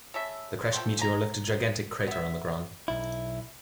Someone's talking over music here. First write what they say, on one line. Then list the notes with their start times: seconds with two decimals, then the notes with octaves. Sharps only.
The crashed meteor left a gigantic crater on the ground.
0.14 C#3 A4 E5
0.73 F3 A3 G5 C6
0.99 G#5 A#5
2.07 B3 E5
2.88 B1 E4